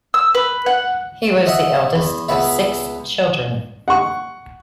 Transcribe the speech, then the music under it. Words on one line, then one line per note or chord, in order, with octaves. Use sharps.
He was the eldest of six children.
E6
B4
F#5
D#5 E5 F#5
E2
C#2 B3 E5
F#5 C#6